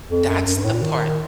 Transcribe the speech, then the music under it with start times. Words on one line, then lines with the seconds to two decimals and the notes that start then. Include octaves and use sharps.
that's the part
0.09 F2
0.27 F#2
0.46 F#2
0.56 G2
0.64 A2
0.74 A#2
0.82 D#3